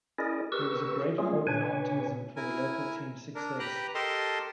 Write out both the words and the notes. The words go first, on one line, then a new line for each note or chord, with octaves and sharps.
There was great hope and optimism for the local teams success.
C#4 E4 G#4 A#4 D5 D#5
G4 A#4 B4 C#6 E6
F#3 G3 A3 C#4 F4 G#4
A#2 C#3 D4 B4 C#5 G#5
E4 A#4 G#5
D4 A#4
G4 B4 G5 A#5 F#6
G4 A4 A#4 D#5 A5 C6